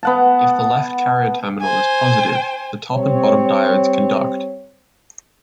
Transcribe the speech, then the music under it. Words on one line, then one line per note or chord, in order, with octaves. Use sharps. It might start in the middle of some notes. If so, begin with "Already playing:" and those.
If the left carrier terminal is positive, the top and bottom diodes conduct.
B3 F#5 A5
C5 G#5
G3 C4 C#5